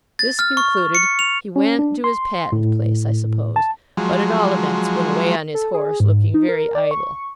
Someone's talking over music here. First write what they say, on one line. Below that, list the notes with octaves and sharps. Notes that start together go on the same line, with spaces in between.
This concluded, he went to his Patent place, I suppose; but at all events went away on his horse, looking very idle.
A6
F6
C#6
C#7
F7
C#4
D4
C6
A2
A5
F3 F#3 G#3
A4
G#4
G#2
D#4
A#4
D5
C#6